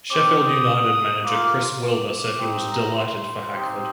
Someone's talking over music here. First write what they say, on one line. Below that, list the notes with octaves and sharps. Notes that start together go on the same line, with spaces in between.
Sheffield United manager Chris Wilder said he was "delighted" for Hackford.
C4 G4 D6
D#6
A#3 F4 D6
D6
C4 D#4 G4
A#5
C6
C4 D#4 G4